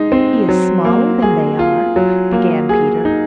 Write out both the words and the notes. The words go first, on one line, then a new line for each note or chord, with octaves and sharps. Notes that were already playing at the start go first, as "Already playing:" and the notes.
"He is smaller than they are," began Peter.
Already playing: G#3 D#4
C4
F#3
A#3
G#4
F4
F#3
A#3
G#4
D#4